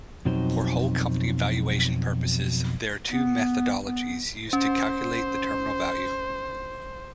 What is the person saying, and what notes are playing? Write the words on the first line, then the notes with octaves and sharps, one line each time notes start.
For whole-company valuation purposes, there are two methodologies used to calculate the Terminal Value.
F2 B2 F#3 C4 D#4 C5
B3
B3
C#4 C5